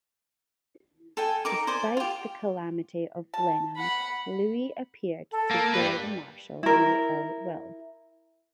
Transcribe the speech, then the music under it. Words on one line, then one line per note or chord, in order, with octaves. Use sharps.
Despite the calamity of Blenheim, Louis appeared to bear the Marshal no ill will.
A4 G5 G#5
D#4 A#4 D6
C5 D5 G#5
F4 G4
A5
F#5 B5
A4
A#3
G3 B4 B5
E4 A#4